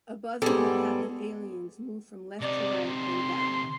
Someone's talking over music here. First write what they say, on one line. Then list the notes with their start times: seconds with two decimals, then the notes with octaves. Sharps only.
Above him a pack of aliens move from left to right, then back.
0.42 G#2 G3 B3 G#4 A4
2.41 C3 D#4 D5
2.94 C6